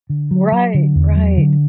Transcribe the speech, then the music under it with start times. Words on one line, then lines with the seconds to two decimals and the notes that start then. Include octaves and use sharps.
right, right.
0.09 D3
0.31 F#3
0.52 F#3
0.74 D3
0.95 E2
1.16 F#3
1.37 D3